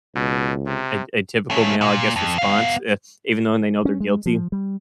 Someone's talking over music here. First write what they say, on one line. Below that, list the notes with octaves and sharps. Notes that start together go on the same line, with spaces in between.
a a typical male, I guess, response, uh, even though they know they're guilty.
C#2 B2
C3
A3 C#4
A#2
F2
B3 F5
C#4
G#3
F3
G3